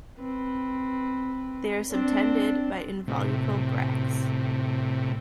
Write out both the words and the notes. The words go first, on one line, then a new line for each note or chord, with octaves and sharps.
They are subtended by involucral bracts.
C4 B4
C4 D4
A2 C3